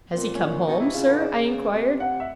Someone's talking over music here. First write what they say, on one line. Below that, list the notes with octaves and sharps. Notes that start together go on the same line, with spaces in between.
'Has he come home, sir?' I inquired.
A#2 C4
C#4
D4
B2 D#4
C3 E4
C#3 F4
D3 B4
C#3 D5
C3
F#5
E5